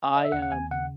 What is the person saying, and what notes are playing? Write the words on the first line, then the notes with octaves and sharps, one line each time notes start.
I am
D#5
E5
D#2 F#5
F#5
D#2 G#5
C#3 F#5